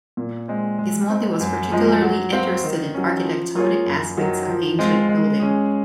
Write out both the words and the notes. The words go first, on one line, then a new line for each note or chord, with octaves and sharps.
Gismondi was particularly interested in architectonic aspects of ancient building.
A#2
G#3 C4
G#3
C4 D#4
F#2
F3 G#3
F#3
C4 F#4 C5 F5
D#3
F#3 C#4
F3
A#3 F4 G#4 C#5
F#2
D#3 F#3
F3
G#3 C4 F4
G#3
C#4 G#4